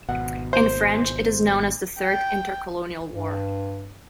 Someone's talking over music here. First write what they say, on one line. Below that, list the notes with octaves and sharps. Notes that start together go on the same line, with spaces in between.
In French, it is known as the Third Intercolonial War.
G#1 B2 F#5
C5
G5
G2